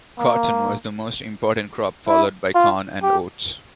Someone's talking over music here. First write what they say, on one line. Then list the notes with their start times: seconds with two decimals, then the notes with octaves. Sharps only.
Cotton was the most important crop, followed by corn and oats.
0.19 A#3
2.08 E4
2.55 F4
3.02 G4